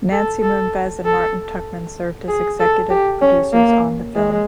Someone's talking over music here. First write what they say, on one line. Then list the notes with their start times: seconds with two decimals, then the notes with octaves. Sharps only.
Nancy Moonves and Martin Tuchman served as executive producers on the film.
0.12 A4
0.42 A4
1.05 A4
2.28 G#4
2.59 A4
2.90 G4
3.21 C#4
3.53 A#3
4.15 G#3